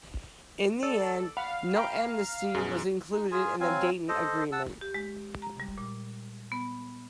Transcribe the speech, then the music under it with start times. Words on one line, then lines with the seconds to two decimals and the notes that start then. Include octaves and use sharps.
In the end, no amnesty was included in the Dayton Agreement.
0.83 A4 D5
1.37 F5 F#5 B5
1.76 G5 A#5 B5
2.54 F#2 B2 G#4
3.13 D#4
3.31 F4 G#4 G#5
3.60 F#3 C4 F5 G#5
4.09 A4 C5 D#5
4.52 F#5 A5 E6
4.81 G4
4.94 G#3
5.42 A#5
5.60 G3
5.78 A#2
6.52 B3